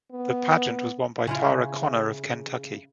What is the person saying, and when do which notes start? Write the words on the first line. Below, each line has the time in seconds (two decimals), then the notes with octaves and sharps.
The pageant was won by Tara Conner of Kentucky.
0.11 B3
1.27 C#3 E4 F4